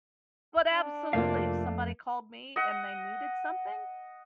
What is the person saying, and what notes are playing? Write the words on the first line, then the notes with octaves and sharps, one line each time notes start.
but absolutely, if somebody called me and they needed something,
D4
F2 C3 A3 A#3 F4 F5
D#5 F#5